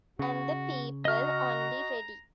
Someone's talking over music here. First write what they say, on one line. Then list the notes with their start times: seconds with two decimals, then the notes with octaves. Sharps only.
And the people only ready!
0.19 C#3 F#4
1.05 F#4 D#5 A#5 F6